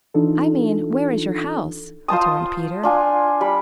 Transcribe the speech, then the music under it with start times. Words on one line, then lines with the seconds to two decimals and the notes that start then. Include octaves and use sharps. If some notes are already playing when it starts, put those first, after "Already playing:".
"I mean, where is your house?" returned Peter.
0.14 E3 D4 D#4 F4 A4
2.08 F4 C5 A5 D#6
2.83 D4 F4 G#5
3.41 G3 B5